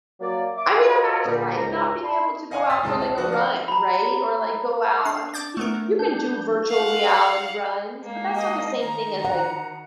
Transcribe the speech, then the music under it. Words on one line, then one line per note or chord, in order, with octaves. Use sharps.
I mean, imagine, like, not being able to go out for, like, a run, right? Or, like, go out I mean, you c you can do virtual reality runs, but that's not the same thing as, like
F#3 A#3 D5
E5 D6
F4 F#4 A#4 C5 C#5 D#5
A#2 D3 G3
C#2 G#2 A#5
D5 A5 B5 C6
D#5 F5 F#5 G#5 A#5 C6
C6 D#6 F6 A6 B6
D1 C3 G#3 A5 D#6
A5
F3 D4 F#4
D4 F5 A#6
A#5 B5
D4 C7
D6 G6 A6
A3 B3 A#4
D4 G6
F5 F#5
G#3 A#3 A4
D#5
D#3 A#5
F#5